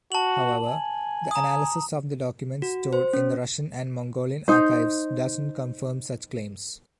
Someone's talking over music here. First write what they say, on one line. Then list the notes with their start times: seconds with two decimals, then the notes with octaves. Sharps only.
However, the analysis of the documents stored in the Russian and Mongolian archives doesn’t confirm such claims.
0.12 F#4 A5 F#7
0.67 G#5
1.31 A#5 D#6
2.62 F#4
2.93 C5
3.13 C#4
4.48 D#4 C5